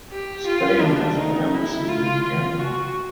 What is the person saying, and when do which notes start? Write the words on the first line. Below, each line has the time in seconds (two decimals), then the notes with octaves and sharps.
Spain has an embassy in Yangon.
0.12 G4
0.47 F4
0.82 D4
1.18 D#4
1.53 E4
1.88 F4
2.24 F4
2.59 F#4